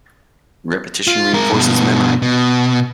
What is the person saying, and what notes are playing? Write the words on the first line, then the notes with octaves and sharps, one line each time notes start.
Repetition reinforces memory.
F4
G#3 A#4
G2 B2
B2